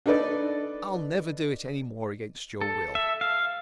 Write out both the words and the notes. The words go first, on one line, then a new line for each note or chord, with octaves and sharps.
I'll never do it any more against your will.
D4 D#4 A4 B4 D5
A4
E5
F5